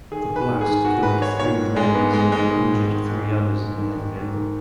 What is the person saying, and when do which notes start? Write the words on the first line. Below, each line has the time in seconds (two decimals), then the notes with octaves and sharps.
The blast killed three Levies and injured three others in the other vehicle.
0.12 D#3 G#4
0.29 D#3
0.36 B4
0.48 G#2
0.61 G#4
0.66 D#3
0.85 D#3 F#4
1.03 G#2 B4
1.21 D#3 C#5
1.40 D#3 C#5
1.58 G#2
1.76 G#2 G#3
1.95 G#2 B3
2.13 G#2 G#3
2.32 G#2 G#3
2.51 D#3
2.69 G#2
2.87 D#3
3.05 G#2
3.24 G#2
3.42 G#2
3.60 G#2
3.78 D#3
3.97 D#3
4.16 G#2
4.34 D#3